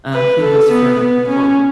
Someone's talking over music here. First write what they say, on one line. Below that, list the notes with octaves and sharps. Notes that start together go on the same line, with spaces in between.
um, he was from Cork.
B4
A4
B3
B3
C#4